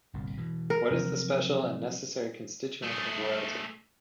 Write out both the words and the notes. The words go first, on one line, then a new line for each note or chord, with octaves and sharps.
What is the special and necessary constituent of royalty?
G1 C2 A#2
B2 E3
A#4
C3 F3 F#3
A3 G#4